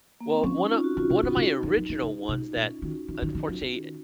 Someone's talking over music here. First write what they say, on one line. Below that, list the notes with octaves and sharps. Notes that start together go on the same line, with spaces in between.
Well, one of one of my original ones that, unfortunately,
A#3
C4
F3 C#4
D#4
F4
F#4
D#3 F4
C#3
C#3
C#3
D#4
D#3
F3
D#3
C#3
C3
A#2 F4
C#4
D#4
D#3 F#4
D#4
D#3
D#3
D#3
F3
D#3